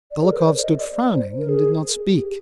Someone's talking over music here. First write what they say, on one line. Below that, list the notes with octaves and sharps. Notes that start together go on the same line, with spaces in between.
Dolokhov stood frowning and did not speak.
D5
G#4
A#4
C5
D5
D#5
D5
C5
A#4
G#4
G4